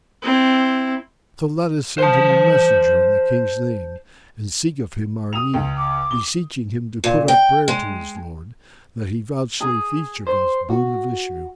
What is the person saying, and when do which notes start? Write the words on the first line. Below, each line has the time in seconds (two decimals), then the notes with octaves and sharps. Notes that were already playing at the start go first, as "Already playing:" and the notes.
So let us send him a messenger in the King's name and seek of him our need, beseeching him to put up prayer to his Lord, that He vouchsafe each of us boon of issue.
0.22 C4 E4
1.98 C5 A5
5.33 D#6 F7
5.54 C#2
5.77 D6
6.11 G7
7.04 A#2
7.28 G5
7.68 G#3
9.61 G#4
10.27 C5
10.70 F#4